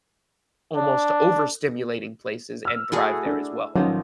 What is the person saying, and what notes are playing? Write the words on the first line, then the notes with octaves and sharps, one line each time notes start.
almost overstimulating places and thrive there as well.
D4
E6 F6
A3 E4 F#4 G#4 A4
D4
A1 D#3 F3 F#3 D#4